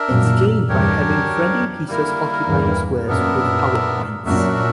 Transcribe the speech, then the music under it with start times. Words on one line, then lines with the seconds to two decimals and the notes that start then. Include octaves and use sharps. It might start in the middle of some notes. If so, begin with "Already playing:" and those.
It's gained by having friendly pieces occupying squares with power points.
Already playing: D4 A#4 E5
0.09 F#2 A#2
0.69 E2 G2 D4 G4 A#4 C#5
0.98 F#2
1.88 G3 A#3 E4 A#4
2.47 E2 G2
3.07 F#2 A#2 B3 D4 A#4 E5
4.25 F#2 A#2 D4 F#4 A#4 E5